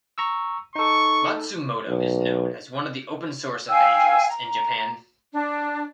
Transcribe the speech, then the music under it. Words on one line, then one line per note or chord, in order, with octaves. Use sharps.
Matsumoto is known as one of the open source evangelists in Japan.
A#5 C#6 E6
D#4 A4 C#6
B1
F5 G5 G#5 E6
A#5
D4